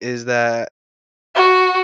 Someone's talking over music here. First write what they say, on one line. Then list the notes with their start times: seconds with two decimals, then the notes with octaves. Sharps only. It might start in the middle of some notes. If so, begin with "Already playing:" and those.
is that
1.35 F#4